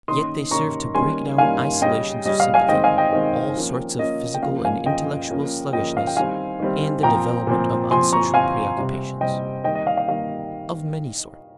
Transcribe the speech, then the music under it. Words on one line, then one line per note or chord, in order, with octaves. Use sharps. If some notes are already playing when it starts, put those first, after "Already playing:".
Yet they serve to break down isolations of sympathy, all sorts of physical and intellectual sluggishness and the development of unsocial preoccupations of many sorts.
D#3 A#3 C#4 C6 D#6
D#3 A#3 C#4 A#5 C#6
D#3 G3 A#3 C#4 G#5 C6
D#3 G3 A#3 C#4 F5 G#5
C#3 G3 C#4 D#5 G5
C#3 G3 C#4 D#5
F5
F5 G#5
D#3 G#3 C4 D#5 G5
F5 G#5
D#5 G5
D#3 G#3 C4
F3 A#3 C#4
F3 A#3 C#4 D#5
G5
C#3 F3 A#3 F5
F5 G#5
C#3 F3 A#3 D#5 G5
C#3 F3 A#3 C#4
C#3 F3 A#3 C#4 D#5 G5
F5
G5
D#3 G3 C4 F5 G#5
D#3 G3 C4
A#2 F3 C4 G5 A#5
A#2 F3 C4
F3 C4 G#5 C6
A#5 C#6
F3 C4 F5 G#5
C3 G3 C4
C3 G3 C4 D#5 G5
D#3 G3 A#3 D#5 G5
D#5
F5
F5
D#3 G3 A#3 F5